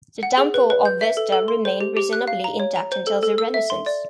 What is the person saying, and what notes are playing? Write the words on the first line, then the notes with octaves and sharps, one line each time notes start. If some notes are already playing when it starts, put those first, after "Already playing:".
The Temple of Vesta remained reasonably intact until the Renaissance.
F#5
G#4
B4
B4
G6
E5
A4
A4
C6
C5
G4
G4
F#6
F5
A#5
C#5
A#5
C5
A4
A4
E6
E5
C6
D5